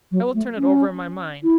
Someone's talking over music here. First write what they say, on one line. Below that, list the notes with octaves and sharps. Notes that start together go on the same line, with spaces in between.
I will turn it over in my mind.
F#3
A3
C#4
E4